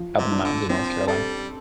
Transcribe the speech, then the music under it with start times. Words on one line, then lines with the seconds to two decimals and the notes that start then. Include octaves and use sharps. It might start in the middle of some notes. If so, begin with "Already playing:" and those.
up in the mountains in North Carolina.
Already playing: F3
0.19 C3
0.31 D4
0.45 D3
0.69 F3 C4
1.07 G3 A4